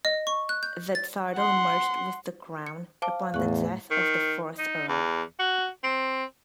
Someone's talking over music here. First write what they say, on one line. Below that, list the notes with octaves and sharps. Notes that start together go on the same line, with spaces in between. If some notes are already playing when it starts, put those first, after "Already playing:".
The title merged with the Crown upon the death of the fourth Earl.
D#5
C#6
F#6
G6
A6
F#5 C6
C#7
C5 F5 A5 D6
E2 A2 C#6 F#6
D#3
D#4
E2
F#4
C4